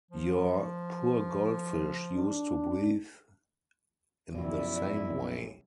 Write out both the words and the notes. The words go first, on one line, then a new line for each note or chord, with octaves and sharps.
Your poor goldfish used to breathe in the same way.
F3
D4
F#2 B2 F3 E4 D5